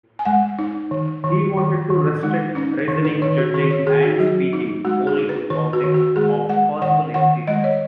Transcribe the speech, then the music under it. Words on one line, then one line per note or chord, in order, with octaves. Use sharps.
He wanted to restrict reasoning, judging, and speaking only to objects of possible experience.
G#5
G#3 F#5
D#4
D#3
D#3
D#3
D#3
G#3 D#4
C#4 D#4
D#3
B4
D#3 C#5
F#4
D#3 G#4
C#5
D#3 G#4
F#4
F#3 F#4
D#4
G#3 F#4
G#4
D#4
B4
D#3 B4
F#4
D#3
F#4
G#3 G#4
G#3 F#5
D#3 F#5
D#3 F#5
G#3 D#5
C#5